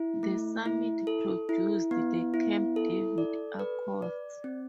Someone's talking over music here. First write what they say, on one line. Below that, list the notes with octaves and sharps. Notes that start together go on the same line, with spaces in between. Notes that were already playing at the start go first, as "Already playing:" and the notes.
The summit produced the Camp David Accords.
Already playing: E4
A3
E4
A4
E4
B3
E4
A4
D5
B4
D5
C4